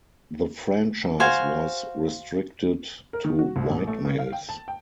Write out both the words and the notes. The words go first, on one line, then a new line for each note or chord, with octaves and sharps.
The franchise was restricted to "white" males.
F#4 C5 F5 G#5
A#4
D#3
F#4
C2
A1
A3
C#3
F5
G5
A5
G5